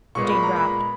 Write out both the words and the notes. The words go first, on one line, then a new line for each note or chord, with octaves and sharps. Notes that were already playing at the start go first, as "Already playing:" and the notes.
Jane dropped.
A#2 G#3 B3 C#6
B5
A#5
B5